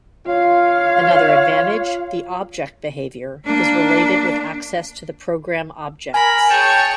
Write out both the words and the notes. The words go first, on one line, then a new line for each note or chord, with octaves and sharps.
Another advantage, the object behavior, is related with access to the program objects.
F4 C#5 F5
A#3 D4
A#4 G#5 B5
G#4 C#5 G5 A5